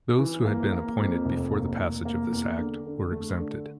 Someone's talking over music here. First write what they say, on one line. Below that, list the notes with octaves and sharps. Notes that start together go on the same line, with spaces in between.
Those who had been appointed before the passage of this Act were exempted.
E3
A#3
A#3
F2
F1
A#3
F1
A#3
E2
D3
D3
A3
D3